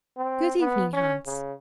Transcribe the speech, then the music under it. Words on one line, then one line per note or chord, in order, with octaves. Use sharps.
'Good evening, Hans.
C4
B3
C#4
C#3